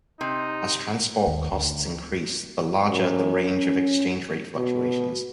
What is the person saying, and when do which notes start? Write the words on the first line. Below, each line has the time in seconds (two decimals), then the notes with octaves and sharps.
As transport costs increase, the larger the range of exchange rate fluctuations.
0.21 C3 D#4
1.27 D#2
1.53 D2
2.90 F#2
3.42 C#4
4.57 B2